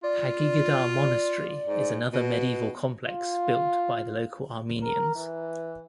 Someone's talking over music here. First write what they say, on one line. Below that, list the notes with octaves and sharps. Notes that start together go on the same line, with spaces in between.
Hagigadar Monastery is another medieval complex built by the local Armenians.
F4 D5
G#2
B2
F4
A#4
E3